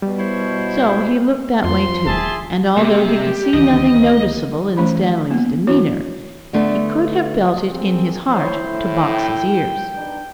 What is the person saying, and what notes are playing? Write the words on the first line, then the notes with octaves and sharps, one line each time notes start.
So he looked that way too; and although he could see nothing noticeable in Stanley's demeanour, he could have felt it in his heart to box his ears.
B2 G3
E4 C5 C#5
F2 F3 C6
D#1 G#4 E5 A5
C3 G3 A#3 G4
C#2 D#3 E3 D#5
E3 A3 C#4 C5 B5
A#3 B3
E3 E4 F#4 C#5
D3 A3 B3 D4
A#3 C4 F#4 G#4
E4 C5 C#5
A2
G5
B3 D4 D#4